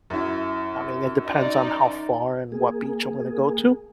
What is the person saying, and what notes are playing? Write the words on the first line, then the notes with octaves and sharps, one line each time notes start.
I mean, it depends on how far and what beach I'm gonna go to.
F#2 E4
D#4 D5
A#3 G#4